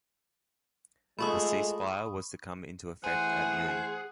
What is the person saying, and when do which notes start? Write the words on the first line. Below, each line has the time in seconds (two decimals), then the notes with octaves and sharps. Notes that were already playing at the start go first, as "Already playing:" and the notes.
The cease-fire was to come into effect at noon.
1.19 G#3 A3 F4 A4 B5 C#6 D#6
3.04 E3 A3 E4 G#4 C5 F#5